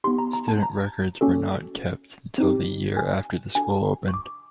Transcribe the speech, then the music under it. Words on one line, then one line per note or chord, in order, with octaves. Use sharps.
Student records were not kept until the year after the school opened.
B3 D#4 G4 C6
A#5
A#5
A5
A#5
A#3 C#4 F#4 A4
C4 D#4 G4
G#5
D4 F#4 A4 G#5
C#6
D6